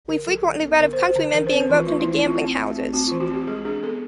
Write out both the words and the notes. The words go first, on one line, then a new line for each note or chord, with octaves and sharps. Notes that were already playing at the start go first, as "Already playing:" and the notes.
We frequently read of country-men being roped into gambling-houses.
D3 A#4
F#3 A4
D3
B3
D3 A#4
D3 C5
C5
D3
E3 A#4
C4 C5
B4
E3 F4
A3 F4
E4
E3
E4
C4 F4
C4
A3
C4
C4 F#4
E3 F4
F#4
C4 G4
G#3 G#4
D4 G#4
B3 A4